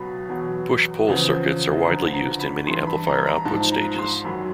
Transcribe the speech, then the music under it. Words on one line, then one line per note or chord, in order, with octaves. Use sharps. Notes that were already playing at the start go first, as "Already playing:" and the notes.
Push-pull circuits are widely used in many amplifier output stages.
Already playing: C#2 B2 F#3 B5
E2 B2 F#3
E2 C#3 F3
D2 D3 F3 A#5
A#5
B5
G2 E3 C6
B5
A#5
A#5
G#2 F3 A5
A#5
C6
F#2 D#3 F#3 B5